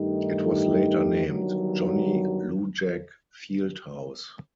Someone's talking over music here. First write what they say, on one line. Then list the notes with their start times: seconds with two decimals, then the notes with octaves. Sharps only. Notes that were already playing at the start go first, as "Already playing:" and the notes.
It was later named Johnny Lujack Field House.
Already playing: G2 D#3 A3 D#4 G4
1.25 G1 G2 D#3 F#3